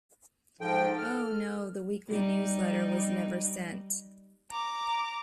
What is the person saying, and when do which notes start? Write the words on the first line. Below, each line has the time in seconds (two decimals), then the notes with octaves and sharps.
Oh no, the weekly newsletter was never sent!
0.61 G#2 F3 A4 G5
0.98 F6
2.08 G3 D#4
4.51 A#5 D6